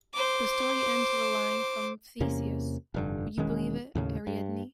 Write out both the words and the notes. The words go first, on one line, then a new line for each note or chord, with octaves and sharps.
The story ends with a line from Theseus - Would you believe it, Ariadne?
C5 D6
E2 C3 A#3 C#4
F1 G2 D3
E1 D#3 G#3 C#4
D#2 A2 C#3
G2